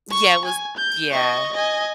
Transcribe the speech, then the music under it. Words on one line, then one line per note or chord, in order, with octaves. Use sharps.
Yeah, it was Yeah.
C#6
G#5
G6
D#5 C#6
D#5 G#5